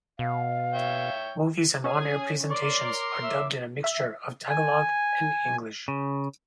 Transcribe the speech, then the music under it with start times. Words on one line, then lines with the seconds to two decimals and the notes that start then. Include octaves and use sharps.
Movies and on-air presentations are dubbed in a mixture of Tagalog and English.
0.19 B2 F5
0.73 C#5 E5 G5
1.84 C#4 G#4 G#5
2.50 A#4 C#5 D5 C6 D6
3.23 E5
3.84 E5
4.49 G#5
5.88 C#3